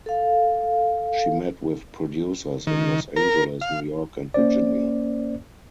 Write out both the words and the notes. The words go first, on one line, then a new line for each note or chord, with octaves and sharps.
She met with producers in Los Angeles, New York and Virginia.
A4 F5
D#3
A#4
F5
A#3 C#4 C5 D5